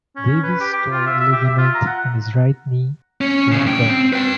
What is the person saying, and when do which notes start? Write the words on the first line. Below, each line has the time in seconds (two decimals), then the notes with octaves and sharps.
Davis tore a ligament in his right knee during filming.
0.16 C#4
0.43 B4
0.60 G4
0.73 G4
0.91 F4
1.06 E5
1.20 E5
1.33 G4
1.45 E5
1.58 F4
1.75 A#5
1.87 F#5
3.21 C#4
3.52 A#2 C#3
3.66 G2 G5
3.90 C4
4.13 B4 G5